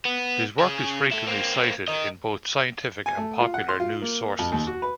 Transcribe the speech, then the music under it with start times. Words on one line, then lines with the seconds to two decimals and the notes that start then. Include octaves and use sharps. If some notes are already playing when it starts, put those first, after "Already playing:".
His work is frequently cited in both scientific and popular news sources.
0.05 B3
0.59 C#3 G#4
1.12 E4 A4
1.27 A#3 C4
1.88 A#4 D#5
3.06 G#5
3.17 A3
3.40 F4
3.54 F#5
3.69 C6
3.80 F4
4.02 A#3
4.39 F2
4.52 D#2
4.67 F#4
4.82 B4